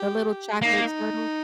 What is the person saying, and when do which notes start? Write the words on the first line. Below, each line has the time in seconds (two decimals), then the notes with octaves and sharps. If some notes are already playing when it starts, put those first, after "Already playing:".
The little chocolate turtles?
Already playing: G4
0.62 A#3 D#4